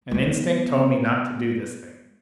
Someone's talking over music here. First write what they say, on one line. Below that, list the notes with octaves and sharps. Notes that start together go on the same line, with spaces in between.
An instinct told me not to do this thing.
G#3 B3